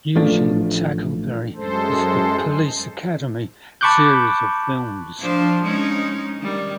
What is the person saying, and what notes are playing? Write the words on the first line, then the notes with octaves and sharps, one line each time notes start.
Eugene Tackleberry in the "Police Academy" series of films.
A1 F3 A3 D4
F#2 G#3 A4 C5
A5 B5 C#6 D6 F#6 G6
F3 D4 C5
G#3 C#4 D#4
D#3 G3